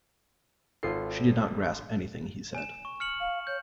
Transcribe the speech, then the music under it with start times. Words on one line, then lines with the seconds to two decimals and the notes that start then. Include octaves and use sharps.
She did not grasp anything he said.
0.83 G#1 F4 A4 C7
2.55 G#5 E7
2.85 C#6
3.00 F6 C#7 F#7
3.20 F5
3.47 C#5 G6